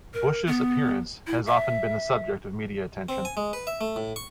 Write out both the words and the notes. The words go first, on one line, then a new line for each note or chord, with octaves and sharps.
Bush's appearance has often been the subject of media attention.
A#4
B3
E4
E5
C4
G#5
G#3
B4
E5
A3
A2
C#6